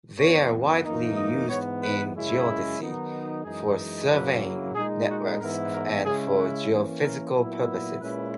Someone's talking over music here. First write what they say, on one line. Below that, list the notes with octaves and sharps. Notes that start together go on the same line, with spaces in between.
They are widely used in geodesy, for surveying networks and for geophysical purposes.
F#2 E3 B3 C#5
F#2 E3 A#3 D#4
D#5
G#2 E3 B3 C#5
B4
F#2 C#3 G#3 C#4 E4
D#3 F#3 B3 D#4
F#2 E3 G#3 D#4 G#4
F#2 C#3 F#3 A#3 E4 B4
A#2 G#3 D#4 G#4
F#4
G#2 E3 B3 E4 A#4
A#4
C#3 G#3 C#4 E4 G#4
F#4
E3 A#3 C#4 G#4
A#4
A#2 F#3 B3 E4
A#2 G#3 C#4 E4 B4